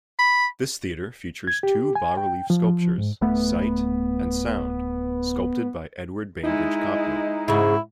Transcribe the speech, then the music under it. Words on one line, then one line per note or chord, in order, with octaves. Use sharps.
This theatre features two bas-relief sculptures, "Sight" and "Sound", sculpted by Edward Bainbridge Copnall.
B5
G#6
G4
G#5
G5
F3
G#2
D1 A3 B3
G#3 D#4 E4
G#2 C#3 E4